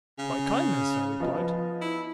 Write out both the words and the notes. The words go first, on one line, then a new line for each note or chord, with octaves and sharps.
"By kindness," I replied.
C#3
F3 B3 D#5
E4